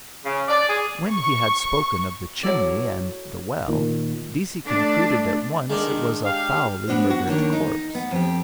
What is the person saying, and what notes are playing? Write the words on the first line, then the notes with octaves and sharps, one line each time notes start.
When he had spoken of the chimney and the well Deasey concluded at once it was a foully murdered corpse.
C#3
D5
G#4
C#6
F#3 E4 A4 D5
A#2 D#3
A3 D4
D#3 G#3 D4
G4 G#4 F5
B3 D4 F#4 C5
F#4
D#3 A#3 D4 C#5
D#4
B3
F2 G4